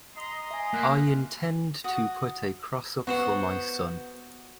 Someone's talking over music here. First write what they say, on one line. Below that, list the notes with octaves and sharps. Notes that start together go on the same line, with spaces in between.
I intend to put a cross up for my son.
D#5 A#5 C6
E5 G#5
A#3 F#6 B6
F#4 D#6
B3 F#4 C5 F#5